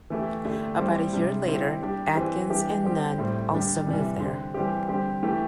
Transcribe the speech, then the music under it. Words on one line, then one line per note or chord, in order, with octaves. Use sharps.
About a year later Adkins and Nunn also moved there.
E3 A3 E4 G4
D3 A3 D4 G4
G3 C4 E4 G4
C3 G3 D4
G3 C4 E4 G4
G3 D4 G4
E3 C4 E4 G4
E3 G3 D4 G4
G3 C4 G4
A2 G3 C4 G4
D3 G3 D4 G4
C3 E3 G3
D3 C4 G4
E3 G3 C4 G4
D3 G3 C4 G4
E3 A3 E4 G4